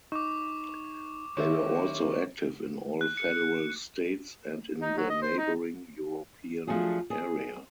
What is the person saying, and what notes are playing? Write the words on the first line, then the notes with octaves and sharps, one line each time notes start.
They were also active in all federal states and in the neighboring European area.
D#4 C#6 D6
D#2 C#5 E5 C#6
F#6
C#7
D#4
F#3
D#5
C5
D#4
F3 F#3 A3 D4 F#4 G#4
G#4